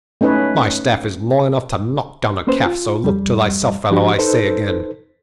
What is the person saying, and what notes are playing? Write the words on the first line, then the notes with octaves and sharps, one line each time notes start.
"My staff is long enough to knock down a calf; so look to thyself, fellow, I say again."
A3 C#4 D#4 B4 C#5
A#3 C#4 B4 C5
F4
F2 G3
F3 D4 F#4 G4
D#4 A4 B4 C5